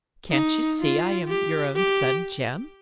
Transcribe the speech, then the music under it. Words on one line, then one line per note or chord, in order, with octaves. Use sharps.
Can't you see I am your own son Jem?'
D#4
F4
G4
G4